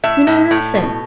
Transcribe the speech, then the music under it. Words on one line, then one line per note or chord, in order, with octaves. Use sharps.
"You know nothing."
A2 E5
A2
A2
B2